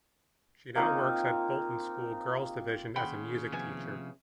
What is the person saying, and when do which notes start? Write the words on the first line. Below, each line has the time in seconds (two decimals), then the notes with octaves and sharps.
She now works at Bolton School Girls Division as a music teacher.
0.76 A#3 C4 D#4 F4
2.96 D#2 C#3 F#5 G5 B5 C6
3.52 C3 F3 B3 F#4 G#5